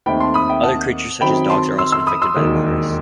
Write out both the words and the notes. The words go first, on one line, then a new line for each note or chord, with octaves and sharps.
Other creatures, such as dogs, are also infected by the virus.
D#2 D#3 A3 C4 G5 B5
A5 C6
B5 D#6
E5 G5
F#5 A5
F#2 D#3 F#3 C4 G5 B5
A5 C6
C6 E6
C6 E6
B5 D#6
C6 E6
E1 D#2 D#3 F#3